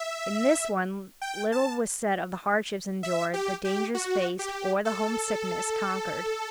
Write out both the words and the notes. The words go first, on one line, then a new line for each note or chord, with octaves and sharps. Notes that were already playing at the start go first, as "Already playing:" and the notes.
In this one little was said of the hardships endured, the dangers faced, or the homesickness conquered.
Already playing: E5
G5
A5
E5
G4
G4
F#4
G4
A4